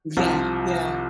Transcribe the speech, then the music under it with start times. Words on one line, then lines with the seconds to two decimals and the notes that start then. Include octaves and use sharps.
Yeah, yeah.
0.17 C2 C3 F3